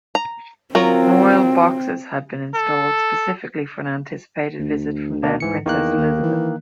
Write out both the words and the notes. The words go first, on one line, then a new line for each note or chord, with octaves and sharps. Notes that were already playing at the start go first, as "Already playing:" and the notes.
'Royal boxes' had been installed specifically for an anticipated visit from then-Princess Elizabeth.
A#5
F#3 C4 F4 A#4
A4
D2
B2 A#3 D4
G#2 E3 C#7
E2 D#3 A#3 F#6
D#2
E3